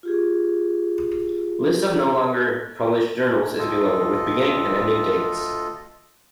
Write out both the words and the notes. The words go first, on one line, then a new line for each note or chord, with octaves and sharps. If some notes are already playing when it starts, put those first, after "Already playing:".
List of no longer published journals is below, with beginning and ending dates.
F4 G4 G#4
D2 F4 A4 D#5